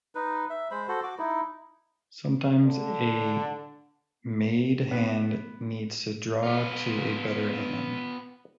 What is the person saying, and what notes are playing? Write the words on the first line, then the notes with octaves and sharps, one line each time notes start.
Sometimes a made hand needs to draw to a better hand.
D#4 B4
E5
G#3 C5 B5
F#4 A4 C5
F#4 D6
D#4 E4
D3
B3
B3 F4